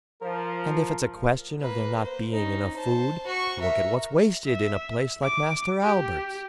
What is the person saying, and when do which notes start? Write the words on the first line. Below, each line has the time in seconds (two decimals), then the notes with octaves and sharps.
And if it's a question of there not being enough food, look at what's wasted in a place like Master Albert's!
0.22 F3 A#4
1.61 A#3 B4
2.03 C5
2.33 C#4 D#4
2.76 C5 A5
3.26 F#4 C#6
3.60 A#4 E5
4.47 E5
5.24 D6
5.83 G4